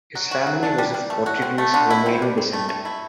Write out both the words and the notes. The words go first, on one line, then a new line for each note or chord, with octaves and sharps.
His family was of Portuguese Romani descent.
F#3
F#4
F#3
D4
G3
G3
A3
F#4
C4
A3
D3
E4
C4
G3
C4
A3
A3
E4